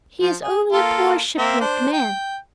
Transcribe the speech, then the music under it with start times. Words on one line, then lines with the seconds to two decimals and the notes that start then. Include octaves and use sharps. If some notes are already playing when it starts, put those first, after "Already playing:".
He is only a poor shipwrecked man.
0.21 F3
0.43 G#4
0.73 A#3 F4 A4
1.38 A#3 C4 E5
1.61 D4 C5
1.93 G5